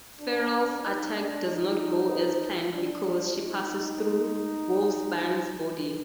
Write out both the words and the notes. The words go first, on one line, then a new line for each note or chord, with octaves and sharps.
Feral's attack does not go as planned because she passes through Wolfsbane's body.
D4
D#4
D4
D#4
D4
D#4